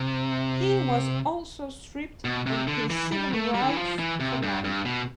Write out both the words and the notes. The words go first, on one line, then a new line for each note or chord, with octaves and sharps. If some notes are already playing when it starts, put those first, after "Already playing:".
He was also stripped of his civil rights for life.
Already playing: C3
B2
C3
D3
E3
G3
A3
G3
D3
E3
F3
E3
C3
G2
G2
B2